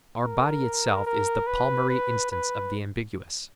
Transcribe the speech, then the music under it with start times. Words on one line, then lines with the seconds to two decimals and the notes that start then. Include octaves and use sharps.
Our body itself is the palmary instance of the ambiguous.
0.23 A#4
1.06 A#4
1.47 B4
1.90 B4
2.32 B4